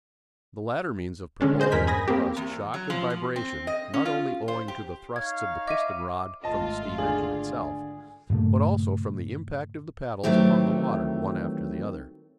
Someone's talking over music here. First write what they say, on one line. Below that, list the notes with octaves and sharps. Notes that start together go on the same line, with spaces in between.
The latter means of propulsion caused shock and vibration not only owing to the thrusts of the piston-rod from the steam-engine itself, but also from the impact of the paddles upon the water one after the other.
D3 G#3 C#4 D4
G#4 C5 D#5 G6
E2 G2 A#2 A#4 G#5 B6
G#5 B5 D#6 G#6 A#6
A#3 C4 G4
E2
F#3
F3
F3
C4
D#5
C#4
F4
C5
G4
D#4 C#5 F5 G#6
D#5 E5 D6 D#7
G#1 A3 F4 D#5 A5
D3 G#4 D5 F#7
G2 A#2 C#3 A3
D#3 E3 F#3 A3 C4 G4